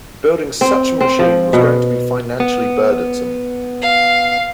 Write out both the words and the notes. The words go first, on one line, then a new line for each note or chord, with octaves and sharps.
Building such a machine was going to be financially burdensome.
C4
C4
F3
B2
B3
F5